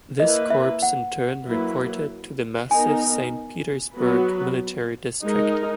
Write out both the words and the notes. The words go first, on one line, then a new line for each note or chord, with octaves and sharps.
This corps in turn reported to the massive Saint Petersburg Military District.
A#3 E4 B4 D#5
E5
F#5
F#3 A#3 E4 B4
B3 D#4 A#4 G#5
F#3 B3 F#4 B4
G#3 D#4 A#4